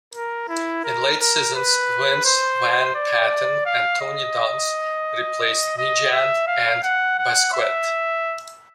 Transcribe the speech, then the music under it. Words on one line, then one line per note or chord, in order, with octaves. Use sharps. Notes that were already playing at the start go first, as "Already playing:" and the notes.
In later seasons, Vince Van Patten and Tony Dunst replaced Nejad and Busquet.
A#4
E4
A#4
A#4
B4
C5
D5
F5
D#5
D#5
E5
F5
F#5
F#5
E5